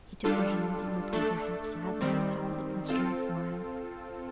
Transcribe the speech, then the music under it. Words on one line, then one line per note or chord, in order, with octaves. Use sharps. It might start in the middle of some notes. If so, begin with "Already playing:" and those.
He took her hand, and looked at her half-sadly, half with a constrained smile.
G3 D4 F4 A4
A3 D4 A4
D#3 G3 C4
C4 F4 A4